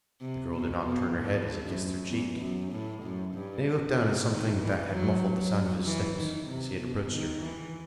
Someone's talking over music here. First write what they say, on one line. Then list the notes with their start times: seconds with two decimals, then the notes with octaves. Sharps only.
The girl did not turn her head as he kissed her cheek, and he looked down at something that had muffled the sound of his steps as he had approached her.
0.21 C3
0.52 B2
0.84 B2
1.15 A2
1.62 F#2
2.09 E2
2.40 F#2
2.72 A2
3.03 F#2
3.34 G2
3.97 C3
4.28 D#3
4.59 E3
4.90 F#3
5.38 F#3
5.85 E3
6.16 D#3
6.47 C3
6.79 B2
7.10 D#3
7.41 E3